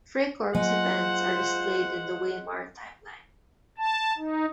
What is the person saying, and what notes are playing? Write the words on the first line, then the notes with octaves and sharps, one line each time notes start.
Freikorps events are displayed in the Weimar Timeline.
F#3 G#3 A#3 F4 C5 F#5
A5
D#4